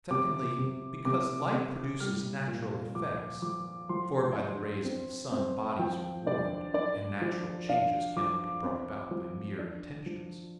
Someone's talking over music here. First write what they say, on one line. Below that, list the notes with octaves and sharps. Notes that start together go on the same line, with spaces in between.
Secondly, because light produces natural effects, for by the rays of the sun bodies are warmed, and natural changes cannot be brought about by mere intentions.
C3 D6
C3
C3 D6
C3
G3 F6
A#2
F3 D6
F3 D6
F3 C6
D4
C4
C4
F3 G5
D4 D5
D4 D5
F3
D4 F5
F3 D6
C4
F3
D4
F3